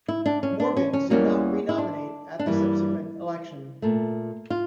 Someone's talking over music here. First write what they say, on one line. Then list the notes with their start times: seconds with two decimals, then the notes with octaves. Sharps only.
Morgans did not re-nominate at the subsequent election.
0.08 E4
0.26 D4
0.43 C#4
0.60 D4
0.77 C#4
0.93 C#4
1.10 E2 E3 G3 A#3 C#4
1.69 E4
1.78 D4
2.39 D4
2.46 G2 E3 G3 A#3 E4
3.82 A#2 A3
4.50 F4